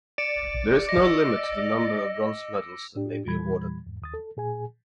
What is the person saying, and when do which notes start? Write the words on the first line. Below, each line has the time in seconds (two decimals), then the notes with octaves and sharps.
There is no limit to the number of bronze medals that may be awarded.
0.18 D5 C#7 D7 E7
0.87 D#5 D6 A#6
1.02 E6
2.95 A2 D4 G4
3.26 E2 A#2 E3 G3 B5 G#6
3.86 E2 G#2
4.02 D#2 D#6 A6
4.14 A4
4.37 A#2 G#4 G#5